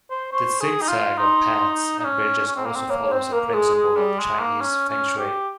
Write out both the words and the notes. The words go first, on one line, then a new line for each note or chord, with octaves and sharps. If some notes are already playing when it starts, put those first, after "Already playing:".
The zig-zag of paths and bridges also follows a principle of Chinese Feng Shui.
C5
C5 C#6
G#4
D#4
F4
D#4 C6
D#4
C#4
C#4
C4
A#3
C4
A#3 C#5
C#5
C4 C5
A#3 A#4
A#4
G#3 G#4
G#3
G3
G#3
A#3
C#4
C#4
G4